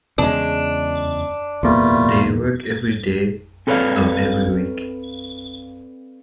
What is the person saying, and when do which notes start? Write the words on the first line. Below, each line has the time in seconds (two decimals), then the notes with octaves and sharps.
They work every day of every week.
0.18 E2 C#3 G#3 D4
1.63 D1 E2 B2 G3 A3 A#3 F4
3.67 C4 A4 B4 C#5 D5 F5